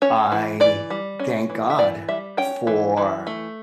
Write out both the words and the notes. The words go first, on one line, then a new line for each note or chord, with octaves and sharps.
I thank God for,
C#4 C#5
E3
E3 D5
G3
C#4
E3
E5
E3 D5
G3 E5
C#4 G5
E3
E3
A3